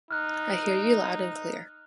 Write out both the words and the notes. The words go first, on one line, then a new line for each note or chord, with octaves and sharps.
I hear you loud and clear.
D#4 F6 F#6